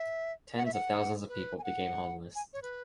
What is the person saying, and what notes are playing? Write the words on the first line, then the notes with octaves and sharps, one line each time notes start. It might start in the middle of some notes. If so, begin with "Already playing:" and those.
Tens of thousands of people became homeless.
Already playing: E5
F#5
E5
F#5
B4
G#5
F#5
G#5
C#5
B4